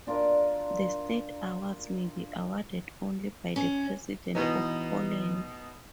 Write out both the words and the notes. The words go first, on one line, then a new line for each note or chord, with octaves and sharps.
The state awards may be awarded only by the President of Poland.
D4 F4 A#4 D5
C#4
B2 E3 B3 D#4 C#5